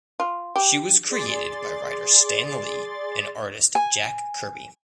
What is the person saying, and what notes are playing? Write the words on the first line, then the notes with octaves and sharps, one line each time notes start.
She was created by writer Stan Lee and artist Jack Kirby.
F4
G4
G#4 D5 C6 A6
G#5